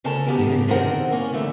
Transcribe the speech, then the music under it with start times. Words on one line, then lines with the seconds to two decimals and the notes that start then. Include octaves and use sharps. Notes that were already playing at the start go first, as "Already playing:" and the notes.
Yeah, yeah.
0.04 D2 C#3 A4 A#4 A5
0.27 D#3 B3 G4 A#4
0.68 C3 D#3 C4 A4 A#4 F#5
1.12 A#3 C#4
1.33 G2 D3 E3 A3